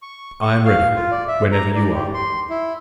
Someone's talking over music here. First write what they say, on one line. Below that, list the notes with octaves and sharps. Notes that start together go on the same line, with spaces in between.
"I am ready, whenever you are."
C#6
C#6
F5
F4
D5
E5
A#5
D5
G4
C6
E4